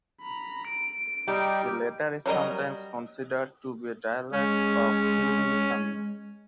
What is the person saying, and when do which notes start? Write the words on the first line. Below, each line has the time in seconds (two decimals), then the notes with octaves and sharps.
The latter is sometimes considered to be a dialect of Kildin Sami.
0.21 A#5 B5
0.68 D7
1.28 G3 D#4 G4
2.26 F#3 G3 A#4 D#5
4.32 G#3 C#4